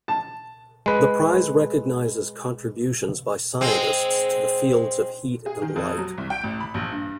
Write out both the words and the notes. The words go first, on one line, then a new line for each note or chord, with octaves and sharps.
The prize recognizes contributions by scientists to the fields of heat and light.
A5
G#3 B4
G#3 C4
G#4
D#3
F2
F#3
C2
G5
A1
B5
A#1
G2